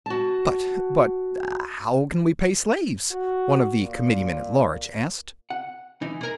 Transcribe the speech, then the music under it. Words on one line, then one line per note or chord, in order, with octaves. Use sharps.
"But ... but how can we pay slaves?" one of the committeemen-at-large asked.
F#4 A5
F#4
A#2
F#5
E3 D#4
G#4 A#4